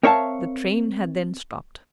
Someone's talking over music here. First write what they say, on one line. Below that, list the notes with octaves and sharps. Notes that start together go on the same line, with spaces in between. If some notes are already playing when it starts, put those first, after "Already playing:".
The train had then stopped.
C4 A#4 C#5 E5 F5 A5